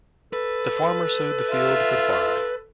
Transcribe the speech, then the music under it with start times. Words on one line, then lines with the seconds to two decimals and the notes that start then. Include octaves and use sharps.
The farmer sowed the field with barley.
0.33 A4 B4
1.51 F4 E5